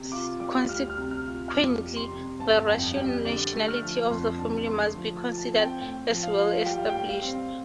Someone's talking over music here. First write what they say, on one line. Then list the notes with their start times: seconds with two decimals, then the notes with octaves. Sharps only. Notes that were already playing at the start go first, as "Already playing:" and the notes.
Consequently, the Russian nationality of the family must be considered as well established.
Already playing: C3
0.12 F4 D6
0.40 G3 D6
0.69 D2 F6
0.90 F6
0.98 C3
1.11 F6
1.25 F4
1.49 F6
1.54 F2 D6
1.82 G3
1.96 C6
2.11 C3
2.39 G1 A5
2.68 F2 G5
2.96 G3 G5
3.25 D3 D5
3.53 A3
3.68 F6
3.82 F3
4.10 F2 C6
4.38 D3 A5
4.67 A3 C6
4.95 F3
5.17 A5
5.24 F4
5.38 A5
5.53 C4
5.60 G5
5.80 A2 G5
6.09 F3
6.23 F5
6.38 F4
6.66 G3 G5
6.78 F5
6.89 G5
6.95 A2
7.09 F5
7.23 C4